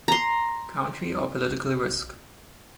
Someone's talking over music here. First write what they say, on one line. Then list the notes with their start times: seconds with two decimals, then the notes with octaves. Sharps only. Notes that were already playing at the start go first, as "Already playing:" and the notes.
Country or political risk.
0.08 A#5 C6